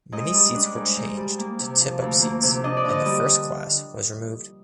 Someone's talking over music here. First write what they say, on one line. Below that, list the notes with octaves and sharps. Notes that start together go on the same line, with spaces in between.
Many seats were changed to tip up seats and the first class was removed.
G#2 D#5
G3
D4
G#2
G#2
G3
A#3
C3
F3
D2
A#3
C3
D4 D#5
D5
D3 D#5
G3